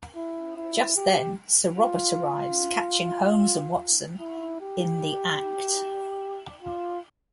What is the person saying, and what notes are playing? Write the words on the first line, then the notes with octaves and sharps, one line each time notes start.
Just then, Sir Robert arrives, catching Holmes and Watson in the act.
E4
E4
G4
F4
E4
G4
F4